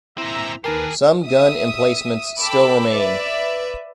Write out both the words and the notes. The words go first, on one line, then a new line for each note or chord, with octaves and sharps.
Some gun emplacements still remain.
A#2 C4 E4 E5 A#5
D#2 D#3 G4 G#4 A#4 B4 A5 C7
E5 D#6
A4 G5 B5 D6 E6
B4 D5 E5